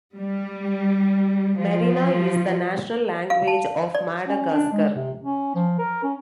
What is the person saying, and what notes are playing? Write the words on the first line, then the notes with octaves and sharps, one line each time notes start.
Merina is the national language of Madagascar.
G3
F3
F5
A5
D5
C#4
D4
G#3
C3
C#4
F3
A#4
C#4